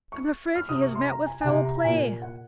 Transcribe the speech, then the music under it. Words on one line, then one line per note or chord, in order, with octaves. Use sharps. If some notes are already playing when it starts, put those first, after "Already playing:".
I'm afraid he has met with foul play.
C#6
F6
C3 D#6
C#6
C6
A#5
G#5
G#5
C3 F#5
A#5
A#5
A#2 G#5
F#5